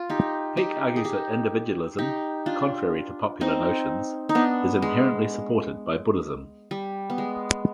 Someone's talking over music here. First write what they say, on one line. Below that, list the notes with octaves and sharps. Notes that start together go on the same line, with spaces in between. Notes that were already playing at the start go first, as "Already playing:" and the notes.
Peek argues that individualism, contrary to popular notions, is inherently supported by Buddhism.
Already playing: F4
D#4 G4
D#4 G4
G#4
D#4 G4
D#4 G4
D4 F4
C4 D#4
D#4
B3 D4
G#3
G3
B3
G#3